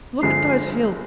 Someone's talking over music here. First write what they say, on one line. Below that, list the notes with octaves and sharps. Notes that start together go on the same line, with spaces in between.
Look at those hills!
G1 G2 D3 F3 G#3 C7